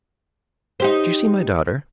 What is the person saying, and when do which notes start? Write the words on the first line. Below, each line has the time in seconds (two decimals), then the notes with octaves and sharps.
"Did you see my daughter?"
0.80 D#4 G4 C5